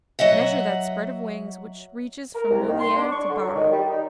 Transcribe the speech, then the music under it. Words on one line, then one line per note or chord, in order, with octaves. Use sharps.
Measure that spread of wings which reaches from Moliere to Barra.
F#3 D#5 E5 F#5
A#4
C2
D#3
C6
D4
C#6
D3
F#3
D#3
G3
D#4